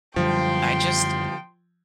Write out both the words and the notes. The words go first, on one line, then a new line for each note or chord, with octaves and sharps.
I just
F#2 D3 F3 G3 G5 C6